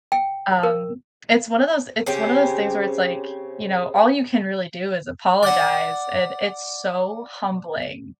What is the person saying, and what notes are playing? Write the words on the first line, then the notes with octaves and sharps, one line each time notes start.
um, it's one of those it's one of those things where it's, like, you know, all you can really do is apologize, and it's so, humbling.
G5
A#4
C#3 C4 C#4 G4
D5 F#5